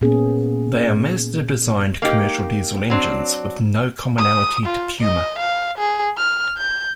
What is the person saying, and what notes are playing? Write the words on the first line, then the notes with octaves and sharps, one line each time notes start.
They are Mazda designed commercial Diesel engines with no commonality to Puma.
A#2 A#3 B3 C#4 G#4
A#3 D#4 G4
F#3 C4 D4
D#6
F4
D#5
F5
G#4
F6
G6